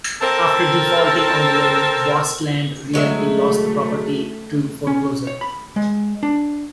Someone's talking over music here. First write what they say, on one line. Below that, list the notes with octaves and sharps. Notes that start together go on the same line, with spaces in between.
After defaulting on the loan, Vastland Realty lost the property to foreclosure.
C4 A4 A#4
F#3 G#3 A3 E5
C#4
C#5
B5
G#3
D4